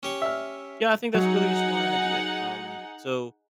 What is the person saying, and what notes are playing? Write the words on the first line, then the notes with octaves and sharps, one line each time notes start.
yeah, I think that's really a smart idea, um, so,
C#4 G4 C#6
E5 F6
F#3 D#4 G#4 F#5